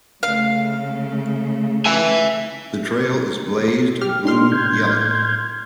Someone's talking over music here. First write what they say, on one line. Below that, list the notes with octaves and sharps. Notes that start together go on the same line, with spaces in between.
The trail is blazed Blue-Yellow.
C#3 A3 F5
E5 G#5
G4 F6
A2 D4 D#4 C6 F6
G6 G#6